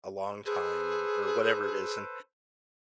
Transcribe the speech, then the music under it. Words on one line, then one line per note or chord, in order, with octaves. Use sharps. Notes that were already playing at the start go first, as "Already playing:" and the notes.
a long time or or whatever it is, and,
G#4 A4 B4 C5